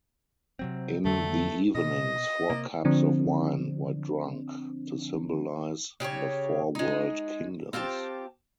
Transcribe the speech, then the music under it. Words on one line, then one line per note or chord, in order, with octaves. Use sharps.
In the evenings four cups of wine were drunk, to symbolize the four world-kingdoms.
C3 F#3 C4
F2 D3 F#3 A3
B2 D#5
C3 A#3
D3 F3 C4 D4
C#3 G4 A4 C#5
G#3 D#4
C4 F4 G4 A5